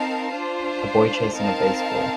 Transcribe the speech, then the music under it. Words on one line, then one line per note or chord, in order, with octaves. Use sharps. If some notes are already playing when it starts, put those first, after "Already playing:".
A boy chasing a baseball.
Already playing: C4 D#4 A#4 F5 A5
D4 F4 C5
C4 D#4 A#4 F5 A5